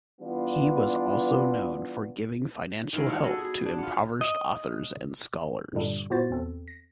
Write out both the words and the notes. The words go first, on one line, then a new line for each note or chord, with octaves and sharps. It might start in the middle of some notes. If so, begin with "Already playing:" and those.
He was also known for giving financial help to impoverished authors and scholars.
E3 G3 B3 D4 F4
D#3 E3 G#3
G3 B3 D4 F4
F#4 G#4 A4 D#5
G#4
D4
B3 F4
D#5
G2 A#2 D3 G3 D4
A#2 B3 E4 F#4 C5 A6
E2 C4 A4
A#6